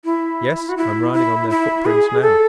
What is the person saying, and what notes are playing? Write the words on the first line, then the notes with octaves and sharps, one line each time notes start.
"Yes, I'm riding on their footprints now."
E4
F#4
E4
E4
E4
G#4
A4